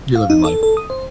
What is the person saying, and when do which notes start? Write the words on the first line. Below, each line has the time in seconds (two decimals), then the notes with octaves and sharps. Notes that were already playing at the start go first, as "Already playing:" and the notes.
You're living life.
0.16 F5
0.30 D#4
0.44 A4
0.63 A4
0.77 D#6
0.90 C5